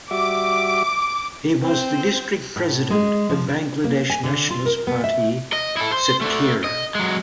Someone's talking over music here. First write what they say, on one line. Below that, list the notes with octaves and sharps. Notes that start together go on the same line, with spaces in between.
He was the district president of Bangladesh Nationalist Party Satkhira.
G3 F#4 E5 D6
C4 C5
A2
G#3
F3
D4
A#3
G#5
D3
F4
A#4
B3
E5
D#5
E4 A4
C5
D3 A3
D#5
F#3 G#3